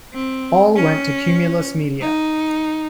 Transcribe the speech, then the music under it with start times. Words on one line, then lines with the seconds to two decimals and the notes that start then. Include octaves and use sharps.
All went to Cumulus Media.
0.13 C4
0.76 C#4
2.01 D#4